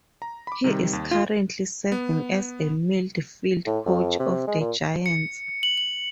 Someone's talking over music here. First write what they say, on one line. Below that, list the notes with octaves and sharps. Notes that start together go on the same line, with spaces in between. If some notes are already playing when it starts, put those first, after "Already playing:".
He is currently serving as the midfield coach of the Giants.
A#5
B5 D6
C3 D#3 G3
D#2
F4
B3
A2
F2
C3
G#3
A#2
C#7
F#7
F#7